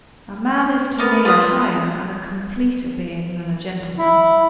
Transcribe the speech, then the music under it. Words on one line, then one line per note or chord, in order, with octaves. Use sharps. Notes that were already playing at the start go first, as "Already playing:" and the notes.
A man is to me a higher and a completer being than a gentleman.'
B3 A#4 D6
F4 B4 D#6
E4